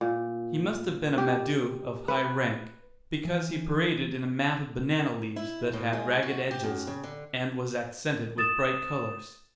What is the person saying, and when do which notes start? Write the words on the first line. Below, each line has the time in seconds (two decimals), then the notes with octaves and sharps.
He must have been a "mado" of high rank, because he paraded in a mat of banana leaves that had ragged edges and was accented with bright colors.
0.01 A#2
1.18 G4
2.08 B4
3.25 E3
5.36 E4
5.73 A2
5.93 G#3
6.23 F#4
6.51 G4
6.63 F#2
6.87 C#3
7.04 D3
8.38 D#6 A6 E7